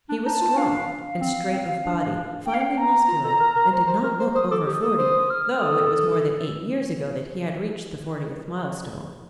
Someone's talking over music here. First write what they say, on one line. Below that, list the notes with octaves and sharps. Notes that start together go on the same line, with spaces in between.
He was strong and straight of body, finely muscular, and did not look over forty, though it was more than eight years ago that he had reached the fortieth milestone.
D4
D#4 A5
F4
D4 F5
F5
C4
C4
D4
G5
F5
G5
A#5
F4
A4
A#4
A#4
C5
C5
A#4
C5
C5 D#6
A4 D6
G4 D#6
A4 D#6
C5 D#6
F6
A4 D#6